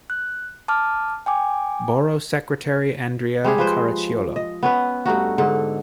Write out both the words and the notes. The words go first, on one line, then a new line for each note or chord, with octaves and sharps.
Borough Secretary-Andrea Caracciolo.
F#6
A5 D6 F6
G5 G#5 D6
G3 G#3 G4 G#4
F3 B4 C5
D#5
B3 C#4 B4
G2 A3 D#4 F#4
G#2 D3 A4